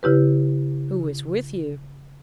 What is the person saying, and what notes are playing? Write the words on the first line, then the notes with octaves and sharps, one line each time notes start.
'Who is with you?
C#3 E4 G4 B4